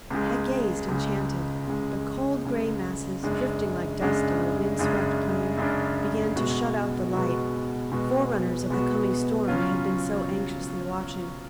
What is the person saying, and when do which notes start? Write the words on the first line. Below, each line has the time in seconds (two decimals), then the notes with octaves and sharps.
I gazed enchanted, but cold gray masses, drifting like dust on a wind-swept plain, began to shut out the light, forerunners of the coming storm I had been so anxiously watching.
0.10 C#2 C#3 G#3
0.88 C#2 C#3 G#3
1.67 C#2 C#3 G#3
2.45 C#2 C#3 G#3
3.23 F#2 C#3 G#3 D4
4.01 F#2 C#3 G#3 D4
4.79 F#2 C#3 G#3 D4
5.57 F#2 C#3 G#3 D4
6.36 B2 G#3 B3 F#4
7.13 B2 G#3 B3 F#4
7.92 B2 G#3 B3 F#4
8.70 B2 G#3 B3 F#4
9.48 C#3 F#3 C#4 F4